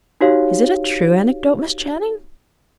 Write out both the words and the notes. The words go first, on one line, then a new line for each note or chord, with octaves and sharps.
"Is it a true anecdote, Miss Channing?"
D#4 F#4 G4 C#5 F5